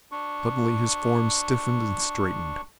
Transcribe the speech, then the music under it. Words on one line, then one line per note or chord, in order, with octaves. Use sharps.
Suddenly his form stiffened and straightened.
D4 C#6